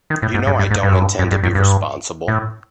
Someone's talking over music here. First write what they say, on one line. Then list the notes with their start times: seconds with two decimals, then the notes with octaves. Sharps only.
You know I don't intend to be responsible.
0.10 D#3
0.22 A2
0.34 G#2
0.47 G2
0.59 G2
0.71 G#2
0.83 G2
0.92 F#2
1.01 G2
1.19 F#2
1.31 G2
1.43 F#2
1.55 G2
2.28 A2